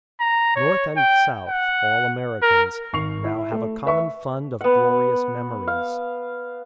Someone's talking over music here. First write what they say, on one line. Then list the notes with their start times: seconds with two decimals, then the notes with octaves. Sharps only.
North and South, all Americans, now have a common fund of glorious memories.
0.20 A#5
0.56 C#5
0.97 G5
1.49 F#5
2.42 A#4
2.93 G#1 C#6 C7 F7
3.24 E4
3.52 A3
3.86 B4 E5 C#6
4.61 B3 F#5
5.68 F5